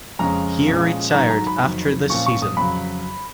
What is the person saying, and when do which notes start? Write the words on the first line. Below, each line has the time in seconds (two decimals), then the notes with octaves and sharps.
He retired after the season.
0.19 F2 C#3 G#3 C#4 A#5
0.67 A#2 F3 G#3 C#4
1.14 G#2 D#3 F#3 A#5
1.30 A#5
1.47 B5
1.62 F2 D#3 F#3
2.10 A#2 F3 A#3 C#4 C#6
2.26 C#6
2.42 D#6
2.57 F2 C#3 F#3 B5